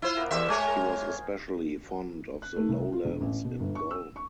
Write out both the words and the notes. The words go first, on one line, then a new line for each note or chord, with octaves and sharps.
He was especially fond of the lowlands in Golm.
E4 F4 C5
A#3 B3 A#4
E2 G4 C5 D#5 E5
G#3 C#5 G#5
A#4
F#6
A3
C2
F4
E1
A1
B2
G1
C#6
E6
C#6